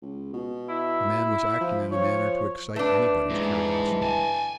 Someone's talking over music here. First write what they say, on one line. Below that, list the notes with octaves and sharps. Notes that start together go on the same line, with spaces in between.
The man was acting in a manner to excite anybody's curiosity.
C#2
B2
E4
F3
F3 C#5
A3 D4 B4
E2 G#2 E3
G#5 A5